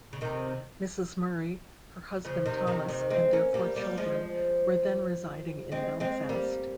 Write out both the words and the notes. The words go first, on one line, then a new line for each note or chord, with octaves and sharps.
Mrs Murray, her husband Thomas, and their four children were then residing in Belfast.
C#3
C3 D#3
C#3 F3
C3 D#3
C3 D#3
C3 D#3
G#3 C4
A#3 C#4
G3 A#3
G3 A#3
F3 G#3
G#3 C4
G#3 C4
G3 A#3